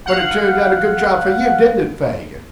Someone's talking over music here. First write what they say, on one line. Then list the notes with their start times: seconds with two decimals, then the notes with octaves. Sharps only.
But it turned out a good job for you; didn't it, Fagin!
0.06 F5 F#5